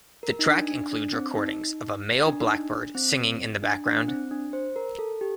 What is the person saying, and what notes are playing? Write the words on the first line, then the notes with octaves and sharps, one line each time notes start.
The track includes recordings of a male blackbird singing in the background.
A#4
D#4
D4
D4
D4
C4
D#4
D4
D#4
D4
C4
D4
D4
C4
D4
C5
A#4
A4
G4